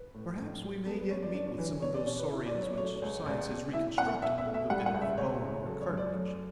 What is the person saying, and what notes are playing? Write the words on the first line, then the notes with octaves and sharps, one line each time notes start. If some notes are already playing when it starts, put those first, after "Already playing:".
Perhaps we may yet meet with some of those saurians which science has reconstructed out of a bit of bone or cartilage.
Already playing: B4
A2
A2
F#3
B3 A4
B4
F#2 C#5
D5
D4 D5
C#5
E3 B4
B3 C#5
D5
B2 C#5
B4
E4
D5
F#3
C#5
A3 C#5
C#2
C#2 D5
B2
E4 E5
B2 F#5
B2 E5
E5
A3
E5
G3 F#5
F#5
C#2
E5
C#2 C#5
C#3
F#3 A4
C#5
F#2
D5
A3